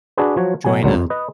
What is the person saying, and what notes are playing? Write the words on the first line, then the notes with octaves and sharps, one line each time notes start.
join a
D4 F#4 G#4 B4
F3 F#3 F#4 C#5
B2 F#3 G#5
C#2 A#2 D3 F#3 G3
F2
B4 D#5